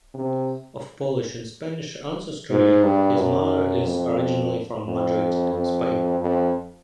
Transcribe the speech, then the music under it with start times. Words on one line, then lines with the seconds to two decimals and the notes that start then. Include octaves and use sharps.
Of Polish and Spanish ancestry, his mother is originally from Madrid, Spain.
0.14 C3
2.50 G#2
2.84 G2
3.17 F#2
3.84 F2
4.85 F2
5.53 F2
6.20 F2